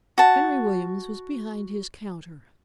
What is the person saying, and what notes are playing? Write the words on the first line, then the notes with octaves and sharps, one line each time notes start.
Henry Williams was behind his counter.
F#4 A5